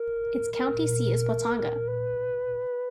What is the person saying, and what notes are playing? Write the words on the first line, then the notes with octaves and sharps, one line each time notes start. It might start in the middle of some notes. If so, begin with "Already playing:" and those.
Its county seat is Watonga.
Already playing: A#4
A#4
B4